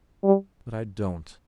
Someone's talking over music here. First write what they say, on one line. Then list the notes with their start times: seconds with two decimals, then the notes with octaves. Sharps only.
But I don't.
0.24 G3